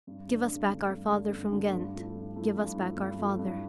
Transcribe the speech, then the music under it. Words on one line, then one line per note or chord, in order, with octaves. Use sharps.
"Give us back our father from Ghent, Give us back our father."
G2
D3 A3 D4
G2
D3 A3 D4
G2
D3 A3 D4
G2
D3 A3 D4
G2
F3 A3 E4
G2
F3 A3 E4
G2
F3 A3 E4
G2
F3 A3 E4
G2